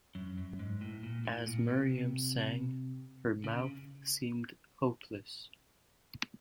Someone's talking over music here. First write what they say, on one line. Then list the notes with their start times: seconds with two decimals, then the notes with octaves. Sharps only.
As Miriam sang her mouth seemed hopeless.
0.15 F#2
0.38 F#2
0.59 G#2
0.81 A2
1.03 A#2
1.25 A2
1.47 A#2
1.69 C3
3.44 C#3